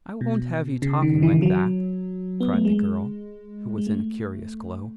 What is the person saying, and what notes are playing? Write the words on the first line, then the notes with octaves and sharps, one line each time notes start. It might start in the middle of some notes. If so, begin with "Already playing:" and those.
"I won't have you talking like that," cried the girl, who was in a curious glow.
B2
C#3
D#3
E3
F#3
B3
A3
G#3
G#3
A3